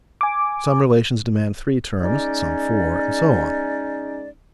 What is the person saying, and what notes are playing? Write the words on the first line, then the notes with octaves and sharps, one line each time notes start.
Some relations demand three terms, some four, and so on.
G#5 D6
G#3 C#4 D#4 D5